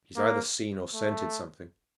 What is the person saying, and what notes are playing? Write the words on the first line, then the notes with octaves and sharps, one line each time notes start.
He's either seen or scented something.
A#3
A3